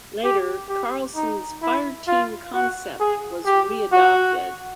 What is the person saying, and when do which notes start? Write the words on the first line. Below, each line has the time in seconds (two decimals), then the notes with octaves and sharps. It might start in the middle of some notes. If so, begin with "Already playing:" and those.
Later, Carlson's fireteam concept was re-adopted.
0.24 G4
0.69 G4
1.16 D#4
1.62 E4
2.08 F4
2.54 F#4
3.00 G#4
3.46 G4
3.92 F#4